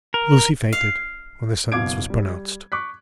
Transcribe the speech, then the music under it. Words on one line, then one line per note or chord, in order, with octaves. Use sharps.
Lucie fainted when the sentence was pronounced.
A#4
F5
F#1 B2 F5 D6 G#6 D7
G3
C#6 D6 F#6 B6